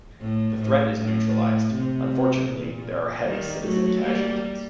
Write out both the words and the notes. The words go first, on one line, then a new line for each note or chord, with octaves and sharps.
The threat is neutralized; unfortunately there are heavy citizen casualties.
A2
A2
A2
C3
A#2
D#3 G3
F#3 A3
G3 A#3